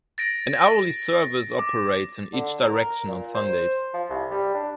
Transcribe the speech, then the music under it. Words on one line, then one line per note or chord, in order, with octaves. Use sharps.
An hourly service operates in each direction on Sundays.
A6 A#6 D7
D6
D3
A#4
A#2
C5
F3
C2
G3
D4